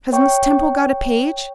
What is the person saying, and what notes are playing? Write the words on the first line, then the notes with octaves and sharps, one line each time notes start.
Has Miss Temple got a page?
C#5 G5 C#6